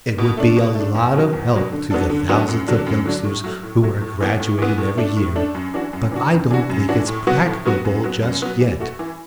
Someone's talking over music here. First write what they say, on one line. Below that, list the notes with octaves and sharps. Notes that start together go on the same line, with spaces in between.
It would be a lot of help to the thousands of youngsters who are graduated every year--but I don't think it's practicable just yet.
B2
A3 D4
B2
A3
D4
E2
B2 F#3
E2
B2 F#3
D3
F#3 B3 D4 A4
D3
F#3 B3 D4 A4
F#2
D3 F#3 D4
F#2
D3 F#3 D4
A2
F#3 A3
A2
F#3 A3
A2
E3 B3
A2
E3 B3
A2
A3 D4
A2
A3 D4
F#2
E3 D4 F#4
F#2
E3 D4 F#4
F#2
E3 D4 F#4
F#2
E3 D4 F#4
A2
F#3 B3 F#4
A2
F#3 B3 F#4
F#2
F#3 B3
F#2
F#3 B3
E3
A3 F#4
E3